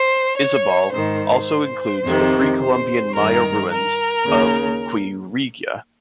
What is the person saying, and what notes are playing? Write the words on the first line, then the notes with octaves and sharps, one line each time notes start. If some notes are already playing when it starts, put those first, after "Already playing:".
Izabal also includes the Pre-Columbian Maya ruins of Quirigua.
Already playing: C5
C#5
G#2 D#3 C5
F2 C3 D#3
C5
G2 D#3 A#4
A#4
D#2 C#3